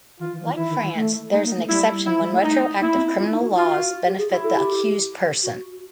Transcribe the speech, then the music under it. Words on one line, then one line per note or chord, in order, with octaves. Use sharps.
Like France, there is an exception when retroactive criminal laws benefit the accused person.
E3 F4
E3
F3
E3
E3 E4
D#3
E3
A3
A3 D#4
A#3
A3
G3 E4
F#3 E4
G3
A3
A3 D#4
A#3 E4
C4
E4
F4
D#4
F#4
F4 F#4
F#4
G4
G#4
E4 F#4
A4
G4
F#4